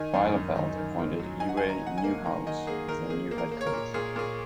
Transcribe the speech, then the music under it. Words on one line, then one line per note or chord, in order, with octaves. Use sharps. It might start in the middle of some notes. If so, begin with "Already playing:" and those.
Bielefeld appointed Uwe Neuhaus as their new head coach.
Already playing: D#3 D#4 G#5
F#2
F#2
D#4
D#3
D#3
F#3
D#4 G#5
F#5
G#5
D#3
A#5
D#4 F#5
G#5
A#3
D#3 A#5
D#3 D#5
A#3 G#4
D#3 A#4
A#3 G#4
A#3
A#4
A#3
C#5
A#4
A#2
A#2 G#4
A#2 G#4